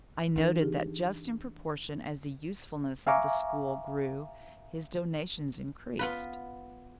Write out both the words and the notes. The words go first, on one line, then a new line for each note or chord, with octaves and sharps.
I noted that just in proportion as the usefulness of the school grew, his donations increased.
E3 D4 D#4 A#4
D#4 G4 G#4
E5 F5 G#5 A#5 C#6 D6
B3 F4 B4